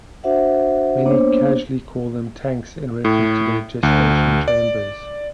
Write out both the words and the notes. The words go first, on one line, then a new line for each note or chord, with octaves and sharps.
Many casually call them "tanks" in reference to their gestation chambers.
D4 F#4 C5 E5 F#5
A#3 B3 D4 C5 C#5
A2
D2
D5